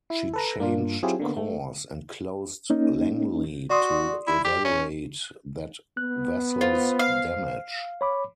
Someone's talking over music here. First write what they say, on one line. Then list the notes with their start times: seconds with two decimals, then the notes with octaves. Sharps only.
She changed course and closed "Langley" to evaluate that vessel's damage.
0.10 E4
0.33 A4 B4 A#5
0.59 G2 A#3 D4 F4
1.03 F#3 C4 E4 F4 G4 G#4
1.20 D3 A#3 B3
1.36 A3
2.70 A#3 C#4 D#4
3.70 F#4 D5 C6 D#6
4.27 E4
4.44 G4
4.64 C#4
5.97 B3 F#6
6.61 F4 C5
6.99 F5
8.01 C#5 B5 D6